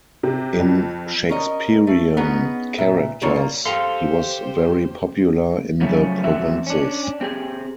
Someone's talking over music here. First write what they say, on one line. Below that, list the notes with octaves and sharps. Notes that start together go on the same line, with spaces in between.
In Shakespearian characters he was very popular in the provinces.
C3
F2
C#4 A#4 D#5
A3
B3 C#4 D#4 G#4 B4
A#2 E5
C#3 G3 A#3 D4 F4 C#5
A#3
G4 A4 C5 F5 C6
C#3 F3 F#3 A3 C#4
F2 E3 A3 C4 F#4 E5
C#4 D4
C4 G4 G#4